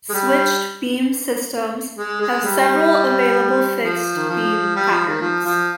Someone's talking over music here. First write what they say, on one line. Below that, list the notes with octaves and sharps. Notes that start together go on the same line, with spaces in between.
Switched beam systems have several available fixed beam patterns.
G#3
G3
G#3
G#3
G3
F3
D#3
F3
G3
F3
D#3
F3
F3